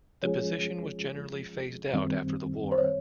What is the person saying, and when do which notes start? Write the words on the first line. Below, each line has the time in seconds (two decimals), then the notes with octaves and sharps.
The position was generally phased out after the war.
0.23 F3 G#3 C#4 F4 G#4 C#5
1.93 F#2 D#3 G3 C4
2.72 C5
2.78 C#5